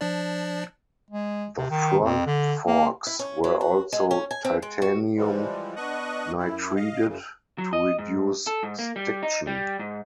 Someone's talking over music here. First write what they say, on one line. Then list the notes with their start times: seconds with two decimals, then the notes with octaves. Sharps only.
The front forks were also titanium nitrided to reduce stiction.
0.01 F3 D4 D5
1.10 G#3
1.58 C3
1.70 D#3
2.03 F2
2.26 D3
2.67 A#3
3.07 E4
3.19 C#4
3.44 F#3
3.61 F#4
3.93 G#3
4.11 C#4
4.31 G#5
4.45 C4
4.62 G#3
4.82 F#4
5.17 E3 F3 G3 G#3
5.76 B3 D4 D#5 C#6 D#6 F#6
6.38 F#2 E4
6.76 D#5 F5
7.07 F#2 C#3
7.58 F#3
7.73 D#5
7.98 G#2
8.47 A4
8.63 G#2
8.79 A#3
8.96 G3
9.23 D#4
9.47 G3
9.79 G#2